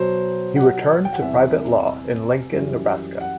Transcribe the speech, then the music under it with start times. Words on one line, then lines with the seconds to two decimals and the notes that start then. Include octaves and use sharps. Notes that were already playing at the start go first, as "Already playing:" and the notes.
He returned to private law in Lincoln, Nebraska.
Already playing: B2 F#3 C5
0.56 F#5
1.05 G5
1.13 F#5
1.22 E2 C3 G3 E5
2.53 F#2 E3 G3
3.21 F#5